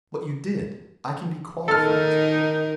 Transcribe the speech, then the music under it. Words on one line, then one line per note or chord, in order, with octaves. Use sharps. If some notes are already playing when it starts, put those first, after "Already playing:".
"But you did, I can be qualified to it."
D#3 D#4 A4 A#4 F6